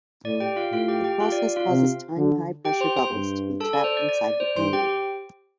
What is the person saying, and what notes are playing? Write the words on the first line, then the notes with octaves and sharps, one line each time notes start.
The process causes tiny high pressure bubbles to be trapped inside the candy.
A2 D5
G4 G5
F4 F5
A2 F4 F5
G4 G5
G4 G5
F4 F5
D5
F4 F5
C3
D3
G4 G5
C5 C6
C5 C6
G2
A4 A5
D5
C5
D5
D5
D5
C5
G2 C5 C6
G4 G5